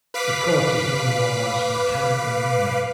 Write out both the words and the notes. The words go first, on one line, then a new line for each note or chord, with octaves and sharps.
The court is now known as McCann Arena.
B4 F5 D6 B6